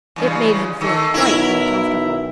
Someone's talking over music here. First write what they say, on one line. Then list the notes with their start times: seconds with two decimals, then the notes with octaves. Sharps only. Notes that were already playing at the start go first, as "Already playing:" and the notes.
It made him feel quite uncomfortable.
0.16 E2 G2 C#3
0.81 D#3 A3
1.14 B1 E4 A#4